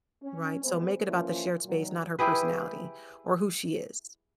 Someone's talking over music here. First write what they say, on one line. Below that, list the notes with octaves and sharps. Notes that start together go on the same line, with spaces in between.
Right, so make it about the shared space, not her personality, or who she is.
C#4
G#3 B3 C4 C5
E3 F3 A#3 C#4 F4
A#2 D#3 F#3
E4 G4 G#4 B4